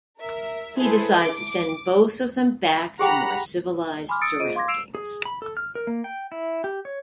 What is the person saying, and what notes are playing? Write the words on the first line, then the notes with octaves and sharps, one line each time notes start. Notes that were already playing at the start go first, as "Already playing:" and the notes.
He decides to send both of them back to more civilized surroundings.
A#4 E5
E4 G#4 A4 B4 C5
D6
G4 G#4 F#5 G5 A#5 B5
G#5 B5 C6 D6 F6
D#6 E6 A6 C#7 D7
F4 G#4 C5 D#5 D7 D#7
F5 C6 D6 G#6 A#6
E6 C7 D7 E7 F7
G#4
B5
A4
F6
A#4
A#3
G5
E4
G4
C#5